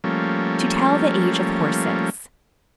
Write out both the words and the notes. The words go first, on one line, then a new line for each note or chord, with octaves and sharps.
To Tell the Age of Horses.
F3 G3 A3 A#3 C#4